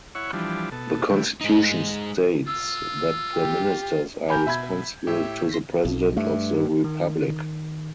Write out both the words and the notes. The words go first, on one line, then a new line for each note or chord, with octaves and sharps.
The constitution states that the ministers are responsible to the president of the republic.
E4 C#5 F#5 C#6
E3 F3 G3 D4
B2 A4
D3 E3 G3
G#3 D#4
F4 E6
G4
G4 A#4 G#5 B5 G6
B2 E5 B5 G#6
A2 G4 E5
C6 A#6 B6
B1
G2 A3
D#3